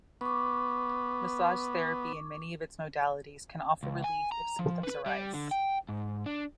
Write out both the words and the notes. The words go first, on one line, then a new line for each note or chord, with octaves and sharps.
Massage therapy, and many of its modalities, can offer relief if symptoms arise.
B3 C#6 D6
C#2
G#5
A#5
F3
B4
G3
D3
G5
G#2
D4